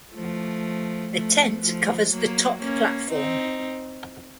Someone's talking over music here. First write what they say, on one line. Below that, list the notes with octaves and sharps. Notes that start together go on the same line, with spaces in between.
A tent covers the top platform.
F3 A3
F3 A3
F3 A3
F#3 A#3
A#3 C#4
C4 D#4